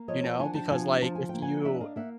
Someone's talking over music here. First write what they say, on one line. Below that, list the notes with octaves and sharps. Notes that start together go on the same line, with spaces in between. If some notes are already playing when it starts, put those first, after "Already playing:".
You know, because, like, if you
Already playing: A#3
F3 C#5 D#5
G5 A5
D4 F#5 G#5
G5 A5
F3 F#5 G#5
F3 A5
G#5
A#3 G5
F#5 G#5
D4 E5 F#5
D#5 F5
A#3 E5 F#5